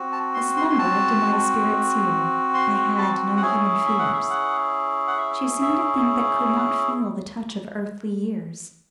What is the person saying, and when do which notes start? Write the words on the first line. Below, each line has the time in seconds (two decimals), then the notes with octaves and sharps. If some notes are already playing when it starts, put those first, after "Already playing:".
A slumber did my spirit seal; I had no human fears: She seem'd a thing that could not feel The touch of earthly years.
Already playing: C4 F#4
0.12 A5
0.34 C6
0.57 C6
0.69 C6
0.79 A5
2.54 C6
2.98 A5
3.37 F#5
3.42 C#4 E4 G#4 G#5
3.87 E5
3.99 F#5
4.13 E5
4.30 F#5
5.07 F#5
5.17 E5
5.62 E5